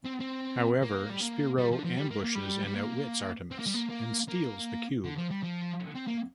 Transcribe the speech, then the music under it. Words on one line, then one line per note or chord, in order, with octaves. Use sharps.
However, Spiro ambushes and outwits Artemis and steals the Cube.
C4
C4
A#3
G3
A#3
G3
F3
D3
F3
G3
A#3
A#3
G3
G3
A#3
C4
A#3
G3
A#3
A#3
A#3
D3
F3
G3
F3
C4
A#3